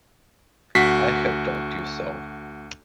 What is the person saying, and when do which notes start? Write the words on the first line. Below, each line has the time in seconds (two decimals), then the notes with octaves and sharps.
I have told you so.
0.75 D2 F#4 B6 C7